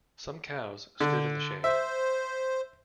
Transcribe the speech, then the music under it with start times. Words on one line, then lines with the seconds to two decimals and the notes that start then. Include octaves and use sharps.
Some cows stood in the shade.
1.01 D3
1.64 C5 E5